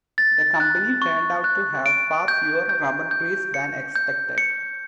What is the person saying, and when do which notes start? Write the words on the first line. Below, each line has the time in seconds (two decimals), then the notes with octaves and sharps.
The company turned out to have far fewer rubber trees than expected.
0.18 A6
0.60 F#6
1.02 C#6
1.44 F#6
1.86 D7
2.28 G6
2.69 G6
3.11 G6
3.54 C#7
3.96 G6
4.38 C#7